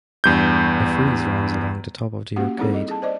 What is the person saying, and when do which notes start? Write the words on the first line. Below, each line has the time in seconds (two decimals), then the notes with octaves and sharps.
A frieze runs along the top of the arcade.
0.24 E2 G2 G6
2.36 A#3 C#4 F#4 G4 F#5
2.58 G3 C4 D#4 E4 G#4 A4
2.74 D#5
2.88 G#4 A5
3.02 C5 D5 D#5